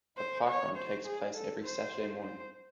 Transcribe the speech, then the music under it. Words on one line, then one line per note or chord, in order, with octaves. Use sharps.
A Parkrun takes place every Saturday morning.
C5
C#5
C5
G#4
A4
C5
C5